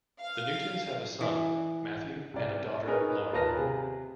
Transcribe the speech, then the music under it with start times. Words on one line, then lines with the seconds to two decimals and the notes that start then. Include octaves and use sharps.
The Newtons have a son, Matthew, and a daughter, Lauren.
0.19 F5
1.21 E3
2.34 C2 D5
2.87 D#4 G#4 A#4 B4 C#5 D#5
3.33 D#1 F4 A#4 B4 A5 A#6
3.56 C3 G#4